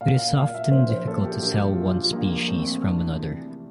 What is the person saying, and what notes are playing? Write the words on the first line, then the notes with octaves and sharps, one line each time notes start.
It is often difficult to tell one species from another.
A#2 F5
F5
A#2 F5
E5
A#1 C5
C5
A#2 A4
G4
A#1 G4
G4
F4
A#1 G4
F4
A#1 A#3
A3 C4
E3 D4
C3